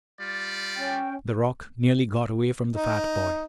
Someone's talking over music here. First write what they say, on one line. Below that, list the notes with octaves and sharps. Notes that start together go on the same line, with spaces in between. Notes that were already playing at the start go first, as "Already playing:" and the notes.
The rock nearly got away from the fat boy.
G3 F4 D5
C#4 G5
D#4